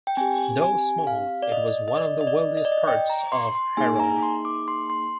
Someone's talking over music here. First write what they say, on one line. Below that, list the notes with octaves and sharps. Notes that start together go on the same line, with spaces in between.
Though small, it was one of the wealthiest parts of Harrow.
G5
C4 G4 G#5
G#5
F5
D5
D#5
D#5
D5
D#5
D5
D#5
D5
D#5
G5
A#5
C6
C6
A#3 D#4 G#4 G#5
G#5
A#5
C6
D6
C6
C6